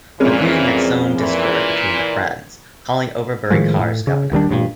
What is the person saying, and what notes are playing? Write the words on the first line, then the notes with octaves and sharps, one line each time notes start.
The Queen had sown discord between the friends, calling Overbury Carr's governor.
F2 A#2 E3 G#3 C#4 A#4
A#2 E3
A2 D#3 F3 G#3
A2
C#3
D#1 D#3 G3 D4
A1 G2 A#2